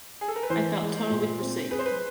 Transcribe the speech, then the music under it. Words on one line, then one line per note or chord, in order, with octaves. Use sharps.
I felt totally forsaken.
G#4
A4
A#4
B4
E3 C5
G#3
A#2
C4
G#4 B4
C5
B4